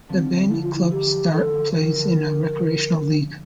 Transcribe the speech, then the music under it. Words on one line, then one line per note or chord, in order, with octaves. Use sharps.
The bandy club Start plays in a recreational league.
D3 F3 C4
D3 F3 E4
F4
E4
E3 G3 G4
D3 F3
E3 G3 A4
D3 F3
G3 A#4
F3
E3
D3 F3